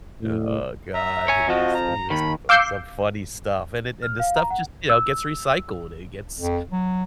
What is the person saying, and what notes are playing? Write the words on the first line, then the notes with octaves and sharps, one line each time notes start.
Oh god. He was he was th some funny stuff. And it and the stuff just, you know, gets recycled. It gets
A2
E5 A#5
C#5 G#5
F2 F3 F#4 D#5
A#5
D#2 D#3 B5
F5 D6 E6 G6 C7 C#7
F6
F5
A#5
F#5
E6
F2
F#3